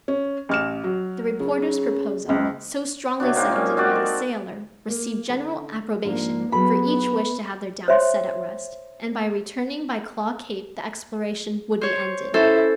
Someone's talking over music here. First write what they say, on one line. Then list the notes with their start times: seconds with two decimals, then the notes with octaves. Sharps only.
The reporter's proposal, so strongly seconded by the sailor, received general approbation, for each wished to have their doubts set at rest, and by returning by Claw Cape the exploration would be ended.
0.08 C#4
0.49 A1 F6 E7
0.84 F#3
1.40 C#3
2.28 F#1 C#2
3.20 C3 F#3 D4
3.36 A#3 C4 D#4
3.49 A#2 G#3 C#4
3.77 G#3 C4 F#4 D5
3.95 A4
4.89 A#3
5.29 D3 C#4 A4
6.04 G#2 F3 A#3 D4
6.52 F#3 B3 G#4 A4 B5
7.88 C5 C#5 E5 C6
11.81 C5 C#5
12.34 C#4 E4 A4 C5 E5